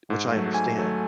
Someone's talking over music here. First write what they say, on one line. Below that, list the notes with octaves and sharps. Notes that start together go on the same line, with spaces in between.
which I understand.
G#2
F#3 A3
G#2 G#5
F#3 A3